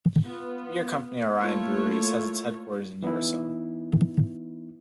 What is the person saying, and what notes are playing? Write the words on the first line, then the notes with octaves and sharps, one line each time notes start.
The beer company Orion Breweries has its headquarters in Urasoe.
B3 F4
A3 A#3 E4 F4 C#5
E3 B3 D#4 E4